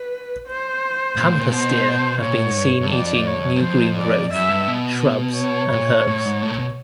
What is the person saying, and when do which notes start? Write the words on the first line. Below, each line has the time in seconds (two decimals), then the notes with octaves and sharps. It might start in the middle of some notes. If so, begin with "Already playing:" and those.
Pampas deer have been seen eating new green growth, shrubs, and herbs.
Already playing: B4
0.47 C5
1.17 A#2
1.28 A2
1.40 A#2
1.52 B2 C5
2.21 A#2 C#5
2.34 A2
2.45 G#2
2.57 G2
2.81 G2
2.91 F2 D5
3.26 C#5
3.56 F#2
3.62 F2 C5
3.97 D5
4.32 F#2 E5
4.49 G2
4.68 B2
5.36 C#5
5.71 A#2
5.89 A2
6.07 A2
6.25 G#2
6.42 A2
6.51 A#2
6.59 B2